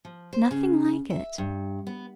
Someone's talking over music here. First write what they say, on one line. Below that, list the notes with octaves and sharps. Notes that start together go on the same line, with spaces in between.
Nothing like it.
F3
C5
C#3
E5
G2
B3